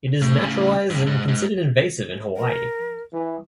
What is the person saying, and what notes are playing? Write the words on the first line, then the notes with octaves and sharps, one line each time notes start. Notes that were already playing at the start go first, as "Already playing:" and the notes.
It is naturalised and considered invasive in Hawaii.
A2
A2 C#3
G2 C3
G#2
G#2
A#4
E3